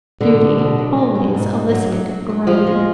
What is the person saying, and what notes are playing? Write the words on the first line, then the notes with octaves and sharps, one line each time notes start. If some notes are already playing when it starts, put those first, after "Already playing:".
"Duty" always elicited a groan.
B2 D3 D4
B2
B2
F#3
F#3
B2
G#2
G#2
F#3
F#3
F#3
F#3
F3 G#3 F4
G#3